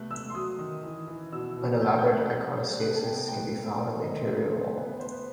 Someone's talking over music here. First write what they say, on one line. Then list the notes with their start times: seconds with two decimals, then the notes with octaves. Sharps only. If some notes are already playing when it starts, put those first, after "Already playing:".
An elaborate iconostasis can be found on the interior wall.
Already playing: C3 A3 B3 F#6
0.11 A3 E6
0.30 C6
0.35 F#3 D#6
0.59 D#3
0.83 E3
1.07 E3
1.32 B2 E6
1.57 B2
1.81 A3 G6
1.98 G6
2.06 C4
2.14 F#6
2.30 G3 G6
2.55 G3
2.79 C3 F#6
2.96 A5
3.04 B3 G5
3.28 A2 G5
3.53 A2
3.77 A3 C5
4.02 D#3 D#5
4.21 C5
4.26 A3 B4
4.51 A3 C5
4.75 B3 B4
4.88 B4
5.00 B3 C5
5.12 B4